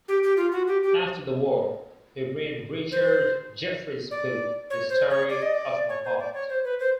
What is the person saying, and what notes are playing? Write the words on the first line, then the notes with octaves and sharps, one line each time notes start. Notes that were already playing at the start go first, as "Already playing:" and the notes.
After the war, he read Richard Jefferies' book "The Story of My Heart".
G4
G4
F4
F#4
G4
G4
C5
D5
C#5
C5
C#5
D5
D#5
D5
C#5
C5
D5
C#5
C5
B4
C5